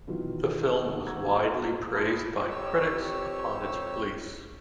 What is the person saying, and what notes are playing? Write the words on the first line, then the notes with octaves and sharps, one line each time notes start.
The film was widely praised by critics upon its release.
B2 D#3 E3 F#3 E4 F4
D#3 A#3
F#5 A#5 C#6 D6 E6 G#6
D#4 F#4 B4 C5 D#5
A5 B5 C6 D#6 G6 A6
F2 G4 C#5 E6